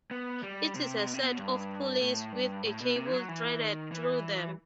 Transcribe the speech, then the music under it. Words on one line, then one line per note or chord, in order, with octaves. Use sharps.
It is a set of pulleys with a cable threaded through them.
B3
G3
C3
B2
C3
B2
G2
A2
G2
A2
B2
C3
F#3
E3
D#3
E3